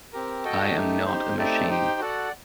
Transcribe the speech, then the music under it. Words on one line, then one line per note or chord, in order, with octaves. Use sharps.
I am not a machine.
C4 G4 A#4
F#4 A4 D#5 G5
A3 D#4 G4
D#4 G4 C5
A3 C4 D#4 G4 D5
D#4 G4 C5 G5
F#4 A4 D5 F#5